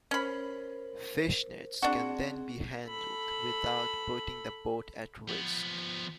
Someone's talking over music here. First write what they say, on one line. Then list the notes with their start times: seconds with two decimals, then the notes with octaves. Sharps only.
Fishnets can then be handled without putting the boat at risk.
0.11 C#4 A#4 C5 B5
1.82 C4 D4 F#4 G#4
2.86 A4 B5
5.29 F3 B3